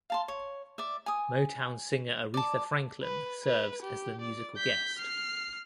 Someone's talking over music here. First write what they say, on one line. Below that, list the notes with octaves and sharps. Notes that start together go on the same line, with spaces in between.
Motown singer Aretha Franklin serves as the musical guest.
F5 A5 C6
C#5
D5 E5
G#5 D#6
D5 A5
B4
B4
G4
D5
G6 B6
F6 C7